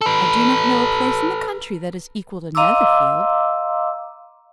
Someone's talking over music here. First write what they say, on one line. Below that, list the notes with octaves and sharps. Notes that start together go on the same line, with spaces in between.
I do not know a place in the country that is equal to Netherfield.
A4 B4
D#5 F5 A#5 C6 D6 E6